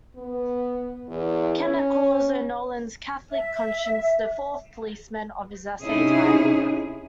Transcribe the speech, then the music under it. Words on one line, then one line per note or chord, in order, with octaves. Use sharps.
Kenner calls O'Nolan's Catholic conscience the "Fourth Policeman" of his essay's title.
B3
E2
C#4
E5
C3 C#4 D#4 E4 G#4